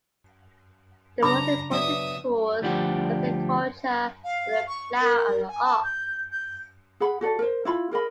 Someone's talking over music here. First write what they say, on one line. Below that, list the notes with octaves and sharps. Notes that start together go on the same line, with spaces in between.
The most important tools for the agriculture were the plow and the ox.
C#3 D4 A#5 B5 D6
F#3 B3 D5 E5 D#6
D2 F3 G3 D4 G4 F#5
F5
C#6
A#4
G#5
A5
G6
G6
G#4 F#5 B5
F#4 A4 D5
A#4 C5
E4 F4 B5
G#4 A#4 D#5 B5